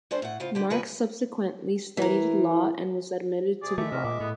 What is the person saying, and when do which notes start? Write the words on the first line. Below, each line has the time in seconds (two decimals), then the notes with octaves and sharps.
Marks subsequently studied law and was admitted to the bar.
0.11 G3 C#4 D4 A4 C5
0.22 A2 F#5
0.40 C#3 F4 C5
0.55 D3 G4
0.70 E2 C#3 F3 A#4 B4 G#5
1.97 E3 A#4
3.62 C3 G#4 D5
3.78 D#3 G#3 A3 D5 E5
3.92 C3 A#4
4.04 A#2 D6
4.20 A2 B3